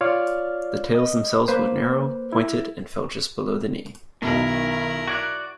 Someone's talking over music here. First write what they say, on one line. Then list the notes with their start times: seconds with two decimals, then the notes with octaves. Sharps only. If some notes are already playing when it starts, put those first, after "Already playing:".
The tails themselves were narrow, pointed, and fell just below the knee.
0.01 F4 C#5 D5 F5 F6
0.95 D#5
1.48 A#3 B4 C5
2.33 E4
4.22 B1 B2 D#3 E4 A#4
5.08 F#4 D5 F#6 G#6